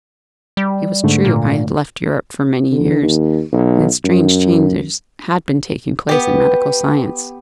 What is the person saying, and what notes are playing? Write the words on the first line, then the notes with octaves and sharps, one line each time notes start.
It was true I had left Europe for many years, and strange changes had been taking place in medical science.
G3
G#2 D3 A3
A#2
D3
D#2
B1
F#2
B3 G4